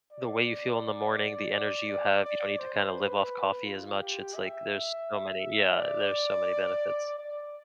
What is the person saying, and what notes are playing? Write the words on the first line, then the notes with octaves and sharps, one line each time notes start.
the way you feel in the morning, the energy you have, you don't need to kinda live off coffee as much, it's, like, there's so many yeah, there's so many benefits.
D5
D5
D5
D5
C5
B4
F4
G4
E5
D5
D5